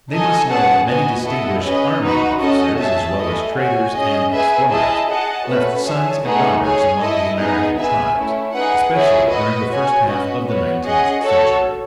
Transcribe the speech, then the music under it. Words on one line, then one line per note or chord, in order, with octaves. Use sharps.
They must know that many distinguished army officers as well as traders and explorers left sons and daughters among the American tribes, especially during the first half of the nineteenth century.
D#4 A4 D#5 G#5
C#4 G#4 B4 F#5 A5
B3 F#4 B4 D#5 G#5
E4 A4 D#5 F#5
C#4 G#4 B4 D#5
D#4 F#4 B4
C#4 F#4 A4 D#5
G#4 C#5 E5 A5
A3 E4 G#4 D#5
F#4 C#5 G#5
C#4 G#4 D#5
G#4 B4 E5 G#5
E4 G#4 D#5 A5
G#4 D#5 F#5 A5
A3 C#4 F#4 B4
G#4 C#5 E5 A5
A3 D#4 G#4 B4 F#5
G#4 C#5 G#5
E4 A4 D#5
B3 D#4 G#4 B4 D#5
G#4 B4 E5 G#5
A3 C#4 E4
D#4 G#4 B4 F#5
E4 G#4 C#5
F#4 B4 D#5
F#4 C#5 G#5
C#4 F#4 B4 D#5
B3 F#4 C#5
C#4 G#4 D#5 F#5
F#4 A4 C#5